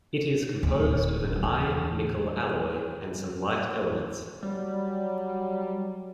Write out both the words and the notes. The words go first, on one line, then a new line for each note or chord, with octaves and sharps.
It is composed of an iron-nickel alloy and some light elements.
D1
E2
F#3 G3